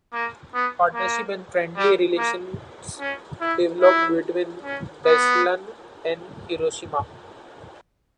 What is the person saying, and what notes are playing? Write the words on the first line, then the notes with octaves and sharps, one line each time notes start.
Partnership and friendly relations developed between Beslan and Hiroshima.
A#3
B3
A#3
G3
A#3
C#4
E4
E4
C#4
B3